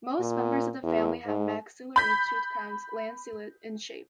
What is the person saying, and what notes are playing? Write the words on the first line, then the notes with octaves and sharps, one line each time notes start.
Most members of the family have maxillary tooth crowns lanceolate in shape.
A#2
E2
G#2
B5 G6 B6